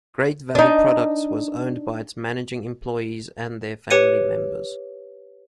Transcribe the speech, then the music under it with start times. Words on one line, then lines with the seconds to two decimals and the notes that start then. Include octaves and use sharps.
Great Valley Products was owned by its managing employees and their family members.
0.55 D4 D#4
3.90 G4 B4 C#5 C#7 D#7